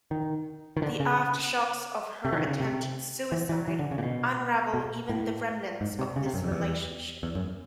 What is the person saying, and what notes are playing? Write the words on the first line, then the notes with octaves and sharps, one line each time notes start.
The aftershocks of her attempted suicide unravel even the remnants of this relationship.
D#3
D#3
D3
C#3
C3
E3
D#3
C#3
C3
E3
E3
E3
D3
C#3
A#2
B2
B2
A2
G#2
C3
C#3
C3
F#2
F2
E2
E2
F#2